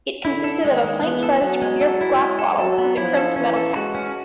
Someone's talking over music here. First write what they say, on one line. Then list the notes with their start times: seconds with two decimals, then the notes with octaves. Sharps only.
It consisted of a pint-sized clear glass bottle with a crimped metal cap.
0.25 D3 E4
0.44 A4
0.64 D#3 G#3
0.84 G#3
1.03 E3 B3
1.23 A4
1.42 F#3 B3
1.62 G#3
1.81 A4
2.01 E4
2.20 G#3
2.39 A4
2.58 F#3 A4
2.78 B3
2.97 F3 E4
3.17 A4
3.36 E3 C#4
3.56 A4
3.75 G#3 F#4
3.95 C#4